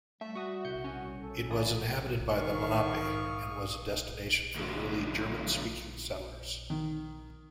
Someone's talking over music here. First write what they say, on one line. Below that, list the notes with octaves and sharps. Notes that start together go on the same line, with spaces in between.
It was inhabited by the Lenape and was a destination for early German-speaking settlers.
G3 A3 E5
F#4 C#6 D#6
C2 G6 C#7
C#4
A4
D3 E3 D5 G#5 D#6
D#3 F5 C#6
G#2 D#6
D2 F3
D#3